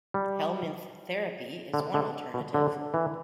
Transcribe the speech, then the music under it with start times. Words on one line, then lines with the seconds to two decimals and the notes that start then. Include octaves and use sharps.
Helminth therapy is one alternative.
0.14 G3
1.74 D3
1.94 D3
2.34 B2
2.54 D3
2.94 E3